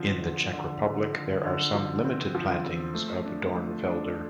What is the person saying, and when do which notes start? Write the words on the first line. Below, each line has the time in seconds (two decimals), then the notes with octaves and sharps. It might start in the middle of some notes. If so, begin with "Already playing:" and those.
In the Czech Republic, there are some limited plantings of Dornfelder.
Already playing: D3 F3 C4
0.22 D3
0.53 D3
0.83 D3
1.13 D3
1.43 D3
1.74 F3
2.04 C4
2.35 F3
2.64 C4
2.94 A3
3.25 D4
3.55 A3
3.86 D4